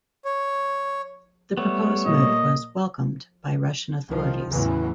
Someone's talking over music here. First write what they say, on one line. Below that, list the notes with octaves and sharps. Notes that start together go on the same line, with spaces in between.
The proposed move was "welcomed" by Russian authorities.
C#5
G3 A3 B3 C#5
A#2 A#3 D#5
C2 D#3 F3
E2 A2 C#3 E3 F#3